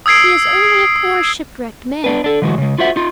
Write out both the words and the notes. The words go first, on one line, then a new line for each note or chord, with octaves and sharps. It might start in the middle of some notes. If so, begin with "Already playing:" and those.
He is only a poor shipwrecked man.
D#6 E6 G#6 C7 D7
B3 D4 B4
D4 A4
D3 E3 G#3 F#4
C#3 G#3
F4 F#4 C5 E5 F#5
D#4 F4